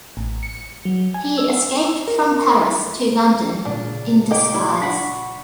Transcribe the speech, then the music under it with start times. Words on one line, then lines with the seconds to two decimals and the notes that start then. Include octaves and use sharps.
He escaped from Paris to London, in disguise.
0.17 A1
0.43 C#7
0.85 F#3
1.14 G#5
1.38 E6
2.08 A#4
3.65 A#2 C#3 D4
4.31 A#3 G4 D#5 D6
4.54 G3 E4
4.82 D4 F#5 B5 C#6 B6